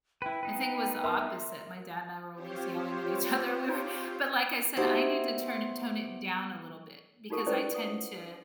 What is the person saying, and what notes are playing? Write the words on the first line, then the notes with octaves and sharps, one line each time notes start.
I think it was the opposite. My dad and I were always yelling at each other. We were But like I said, I need to turn it tone it down a little bit, because I tend to
E4 B4 G5
B3 D#4 B4
A#4 E5 C6
C4 F4 G4 C5 C#5
B3 D#4 E4 F#4 G4 C5
D#4 F4 G4 A4 A#4 C#6
C#4 E4 B4 C5 D5
F#5 D#6